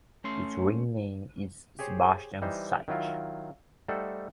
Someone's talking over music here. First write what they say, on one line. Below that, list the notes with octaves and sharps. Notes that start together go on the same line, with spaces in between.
His Ring name is Sebastian Sage.
A3 C#4 C6
G4 G#4 C5 C#5
E3 G3 D#4 C5
D#3 F#3 E4 F4
G3 A3 D#4 A4 C5 F#5